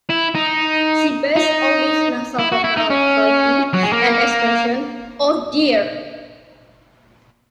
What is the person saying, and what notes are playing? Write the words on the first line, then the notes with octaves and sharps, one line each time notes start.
She based Olive's nasal vocal quality and expression, Oh, dear!
E4
D#4
D#4
E4
F#4
E4
D#4
C#4
F#3
G#3
A#3